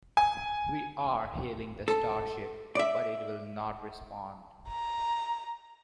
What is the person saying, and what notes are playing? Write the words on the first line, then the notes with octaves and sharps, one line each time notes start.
We are hailing the starship but it will not respond.
G#5
A4
D5 E5
A#5